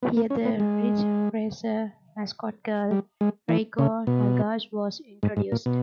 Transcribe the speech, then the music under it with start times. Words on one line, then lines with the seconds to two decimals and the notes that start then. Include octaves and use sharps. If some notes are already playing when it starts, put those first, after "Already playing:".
Here the "Ridge Racer" "mascot girl" Reiko Nagase was introduced.
0.03 B3
0.17 A#3
0.30 C#4
0.45 B3
0.60 G#3
2.91 G3
3.21 G#3
3.49 E3
3.79 C#3
4.07 B2
5.23 G#2
5.37 G#2
5.52 A#2
5.66 B2